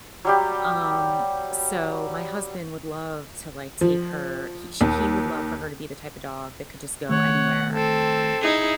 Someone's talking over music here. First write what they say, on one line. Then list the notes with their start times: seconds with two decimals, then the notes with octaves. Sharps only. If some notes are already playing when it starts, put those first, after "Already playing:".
Um, so my husband would love to, like, take her he she he would love for her to be the type of dog that could just go anywhere.
0.25 F#3 G3 G4
3.81 F3
4.81 D#2
7.09 D#3 A3 C#5 F#5
7.72 C4 A4
8.42 D#4 E4 G#4